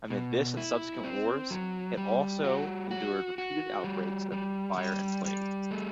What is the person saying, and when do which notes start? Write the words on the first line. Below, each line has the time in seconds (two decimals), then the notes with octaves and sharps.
Amid this and subsequent wars, it also endured repeated outbreaks of fire and plague.
0.10 B2
0.57 E4
1.04 C4
1.51 F#3
1.97 G3
2.44 F#4
2.91 F#4
3.38 F#4
3.84 G3
4.32 G3
4.78 G3
5.25 G3
5.71 A3